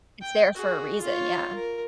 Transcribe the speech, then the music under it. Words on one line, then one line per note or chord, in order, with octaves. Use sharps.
It's there for a reason, yeah.
G5
F#4 G#4
F4 C#5
A#4